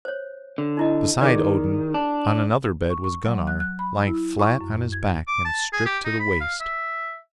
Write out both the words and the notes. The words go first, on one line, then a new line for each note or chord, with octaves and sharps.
Beside Odin on another bed was Gunnar, lying flat on his back and stripped to the waist.
C5 C#5
D3
D#4 E4 D#5
D#3 G#4 D5
D4
C#6
C#6
F#3
F#6
F#6
B5
E4
C#6
F#2
G#6
D6
A5
G#4
G4
D#4
B5
F5
E5